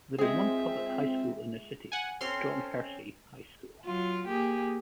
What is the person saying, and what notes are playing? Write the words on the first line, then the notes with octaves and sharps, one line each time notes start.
There is one public high school in the city, John Hersey High School.
G#3 C4 F4 G#4 E5
F#5 G#5
C4 C#4 A4 C6 F6 C7
F#3 F4
A#3 G4 G#4